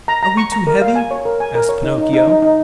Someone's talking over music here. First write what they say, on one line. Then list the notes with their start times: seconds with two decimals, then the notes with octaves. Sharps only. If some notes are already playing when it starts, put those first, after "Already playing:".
"Are we too heavy?" asked Pinocchio.
0.08 A#5
0.23 A#5
0.37 C#6
0.52 A#5
0.67 A#4
0.82 F5
0.96 G#5
1.11 C#5
1.25 A#4
1.40 G#5
1.55 A#4
1.69 C#5
1.83 D#4
1.98 D#4
2.13 D#4
2.28 D#4
2.42 D#4